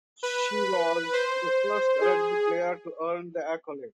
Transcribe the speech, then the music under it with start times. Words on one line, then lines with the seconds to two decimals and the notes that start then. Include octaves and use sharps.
She was the first rugby player to earn the accolade.
0.23 B4
1.13 C5
2.01 G#4